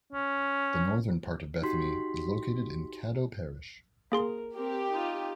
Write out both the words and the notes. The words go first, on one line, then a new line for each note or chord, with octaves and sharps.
The northern part of Bethany is located in Caddo Parish.
C#4
D#4 F#4 G4 C6 B6
A#3 G#4 A#4 C6
C4 G4 A#4
D#4 F4